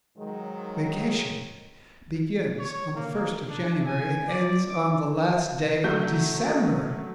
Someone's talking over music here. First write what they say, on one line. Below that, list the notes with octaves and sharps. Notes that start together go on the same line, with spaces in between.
Vacation begins on the first of January and ends on the last day of December.
G#2 D#3 F#3 G#3
C#5
A#3
D4
G#5
D5
D6
F#3 A3 G6